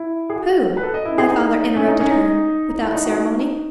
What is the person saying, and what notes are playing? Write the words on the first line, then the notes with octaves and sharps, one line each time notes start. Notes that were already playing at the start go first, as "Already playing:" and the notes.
"Who?" my father interrupted her without ceremony.
Already playing: E4
G#4
F#4
B4
A4
D#5
E4
G#4
D#4
C#4
D#4
C#4
D#4
D#4
E4
D#4
F#4
D#4